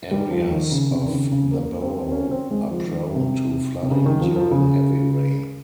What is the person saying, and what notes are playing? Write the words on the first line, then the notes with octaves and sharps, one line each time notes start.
Areas of the borough are prone to flooding during heavy rain.
G3
F3
D#3
C#3
C3
D#3
C#3
C#3
A#3
C4
C4
C#4
C4
G#3
F3
D#3
C3
C3
C#3
D#3
F3
F3
C#3